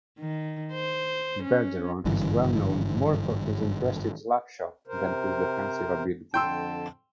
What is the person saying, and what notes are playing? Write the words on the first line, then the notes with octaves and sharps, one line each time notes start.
Bergeron is well known more for his impressive slapshot than his defensive abilities.
D#3
C5
C#4
G#1 G2 D3 E3
C3 A#4 C5
F2 D3 G5 A5 C6 E6